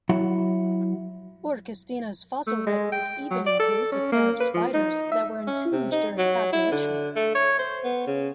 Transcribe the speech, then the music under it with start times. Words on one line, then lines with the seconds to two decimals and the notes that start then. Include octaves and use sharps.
"Orchestina"'s fossil record even includes a pair of spiders that were entombed during copulation.
0.09 F#3 E4 F#4 E5 F#5
2.47 A3
2.67 G#3
2.92 G5
3.31 F#3
3.46 D5
3.60 A4
3.92 C#4
4.12 A#3
4.40 B4
4.54 F3
4.74 D#4
5.12 E5
5.47 C#4
5.72 C3
5.92 D#4
6.18 F#3
6.52 E4
6.72 D3
7.16 A3
7.35 C#5
7.59 C5
7.84 B3
8.07 C#3